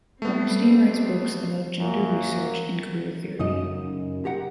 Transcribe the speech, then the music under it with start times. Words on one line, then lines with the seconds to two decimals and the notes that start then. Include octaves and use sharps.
Bornstein writes books about gender research and queer theory.
0.22 G3 A3 B3 C4
1.81 F#2 A#3
3.39 F#2 C#3 D#4 D#5
4.25 G4 A#4 F#5